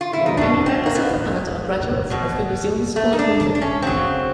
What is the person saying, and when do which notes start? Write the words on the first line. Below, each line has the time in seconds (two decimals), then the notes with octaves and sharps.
Many members of the band are graduates of the New Zealand School of Music.
0.01 F4
0.13 E4
0.26 D#4
0.37 B2 F#3 D4
0.66 C4
0.86 A#3
0.95 B3
2.10 B2 F#3
2.96 A3
3.13 D#4
3.19 D4
3.40 D4
3.55 D4
3.62 C#4
3.82 C#3 F#3 C4